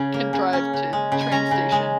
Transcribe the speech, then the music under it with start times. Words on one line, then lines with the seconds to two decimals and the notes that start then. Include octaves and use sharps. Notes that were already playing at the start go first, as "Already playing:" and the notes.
can drive to the train station
Already playing: C#3 C#4
0.14 A#3
0.33 C#3
0.53 C#4
0.73 C#3
0.93 G#3
1.12 C#3
1.21 G#5
1.32 C#4 A#5
1.51 C#3
1.72 G#3